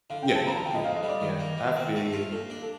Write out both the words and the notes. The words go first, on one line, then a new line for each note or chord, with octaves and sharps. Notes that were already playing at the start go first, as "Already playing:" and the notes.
Yeah, yeah, yeah, I feel you.
D3 F5
G5
C4
A5
F3 A#5
A5
D3 G5
D#5
F2 F5
D#5
G3
D5
D#3
A#3
D#3
C4
A3
F4
A#2 A4
D4
A4